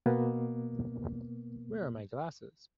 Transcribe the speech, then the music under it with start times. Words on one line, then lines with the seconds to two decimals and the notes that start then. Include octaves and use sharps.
Where are my glasses?
0.06 B2 A#3 B3